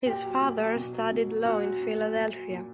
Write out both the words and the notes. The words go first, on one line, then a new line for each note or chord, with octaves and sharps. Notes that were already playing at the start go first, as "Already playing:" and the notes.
His father studied law in Philadelphia.
A#2 G4
F#3
A#2
F#3
B2
F#3
B2
F#3
A#2 F#4
F#3
A#2
F#3
A#2
F#3
A#2